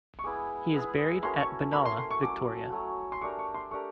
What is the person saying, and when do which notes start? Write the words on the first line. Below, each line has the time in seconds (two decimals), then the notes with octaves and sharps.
He is buried at Benalla, Victoria.
0.19 C#6
0.24 G#3 B3 E4 G#4 D6
0.74 G#3 B3 E4 G#4
1.23 A3 C#4 F#4 A#4 C6
1.40 C#6
1.73 A3 C#4 F#4 A#4 B5
1.85 C6
1.98 C6
2.11 C#6
2.22 F#3 A3 C#4 D6
2.72 F#3 A3 C#4
3.12 C6
3.21 A3 D4 G4 A#4 C#6
3.39 C#6
3.54 C6
3.71 A3 D4 G4 A#4 C#6